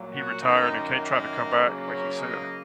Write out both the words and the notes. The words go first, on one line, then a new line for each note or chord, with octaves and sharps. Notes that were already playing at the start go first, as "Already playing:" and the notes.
he retired, and Kade tried to come back like you said.
Already playing: A#2 F#3 A#3
F#4
F#2 D#3 A#3 D#4
A#3
A#3
C#3 F#3 A#3
C#4
D#5